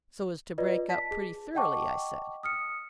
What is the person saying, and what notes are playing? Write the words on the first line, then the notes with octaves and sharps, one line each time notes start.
"So as to break up pretty thoroughly?" I said.
F4 B4 D5 D#5
A5 B6
G#4
D#5 F#5 G5 A5 C#6 D6
D#6 F6 C#7